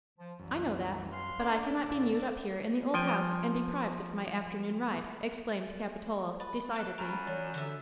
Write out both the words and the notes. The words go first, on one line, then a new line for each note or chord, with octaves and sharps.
"I know that; but I cannot be mewed up here in the old house and deprived of my afternoon ride," exclaimed Capitola decidedly.
F3
C2 F#2 E3
B4 F5 C6
D4 A4 D5
E2 A2 C#3
F3 G5 G#5
B4 A6
A4 F5 F#6 D7
F#2 A#5 B5
E3 F4 C#5 D5
D3 G4 E5